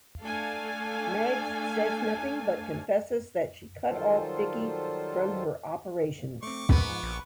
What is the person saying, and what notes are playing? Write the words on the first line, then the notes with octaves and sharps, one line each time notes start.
Mags says nothing but confesses that she cut off Dickie from her operations.
A3 D4 A4 F5 G#5
D#3 F#3 G3 F4 A4 C5
A3 C4 C#6 D6
G#2 A#3 B3 B4
F3
A#1